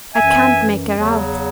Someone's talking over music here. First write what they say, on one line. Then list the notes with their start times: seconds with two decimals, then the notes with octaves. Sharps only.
I can't make her out.
0.15 F#2 E3 E5 G#5
0.98 E2 C#3 F#3